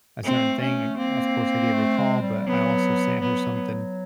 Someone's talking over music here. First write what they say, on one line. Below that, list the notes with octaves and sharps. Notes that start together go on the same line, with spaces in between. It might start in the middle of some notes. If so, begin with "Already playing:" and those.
a certain thing, o of course, I gave her a call, but I also sent her something,
A3 C4
C#4
A#3 C4
A3
G#3
G3
F#3 B3
F#3 B3